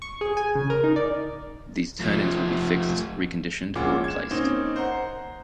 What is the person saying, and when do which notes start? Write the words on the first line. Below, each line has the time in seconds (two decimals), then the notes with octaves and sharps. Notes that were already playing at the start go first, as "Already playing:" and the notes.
These "turn-ins" will be fixed, reconditioned, or replaced.
0.02 C#6
0.21 G#4
0.37 G#5
0.55 C#3
0.70 A#4
0.84 D#4
0.96 D5
2.00 F3 A3
3.75 A#1 G#3 C#4 F4 F#5 D6
4.04 G#6 E7
4.31 A#3 C4 C#4 D#4
4.76 C5 F#5 A#5